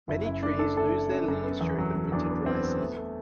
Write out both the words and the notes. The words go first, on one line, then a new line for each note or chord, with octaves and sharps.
Many trees lose their leaves during the winter dry season.
F#1 E4
F#2 E4
A3 D4
F#2 A4
A3 A4
A3
F#2
F#2
B3
E2
F#3
F#3
E2 D4
B3
B3 C4
B3
A3
A3